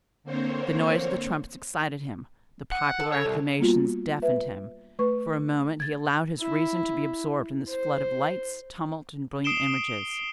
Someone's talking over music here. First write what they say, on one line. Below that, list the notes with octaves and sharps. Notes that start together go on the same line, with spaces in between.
The noise of the trumpets excited him--the popular acclamations deafened him: for a moment he allowed his reason to be absorbed in this flood of lights, tumult, and brilliant images.
D3 A#3 C4 C5 C#5
F#5
A4
C#5
C2
G3 A#3 B3 F4 F#4
B4 E5
A3 B4 C#6
G#6 A6
E4
C5
D#6 C7 D7 E7 G7